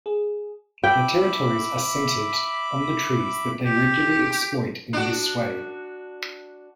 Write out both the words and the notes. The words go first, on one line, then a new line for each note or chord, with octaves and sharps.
Their territories are centered on the trees that they regularly exploit in this way.
G#4
E5 G5 B5 D6
G4
D4 F#4